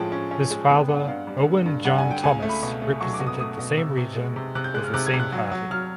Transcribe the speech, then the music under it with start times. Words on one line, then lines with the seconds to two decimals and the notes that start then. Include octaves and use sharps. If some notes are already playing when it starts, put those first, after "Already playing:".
His father Owen John Thomas represented the same region for the same party.
Already playing: A2 F3 G#3 C#4 G5 A5
0.12 C#4
0.31 C#4
0.50 G#3
0.69 B3 G5
0.88 G2 F#5
1.08 G2 F5
1.27 G3
1.47 D3
1.66 G2
1.85 G3 F#5
1.98 G#5
2.04 D3
2.11 G5
2.23 C#2 G#5
2.42 A3
2.49 B5
2.63 B2
2.82 A3
3.01 F#3 C#6
3.13 D6
3.20 B2
3.26 D#6
3.39 A3 D#6
3.59 B2
3.77 C3 E6
3.97 C3
4.16 G#3
4.36 C3
4.55 C3 F#6
4.64 G6
4.74 G#3 F#6
4.84 F6
4.94 C3 F#6
5.06 G#6
5.13 C3
5.20 F#6
5.32 F#3
5.52 F#3
5.71 F#3 F6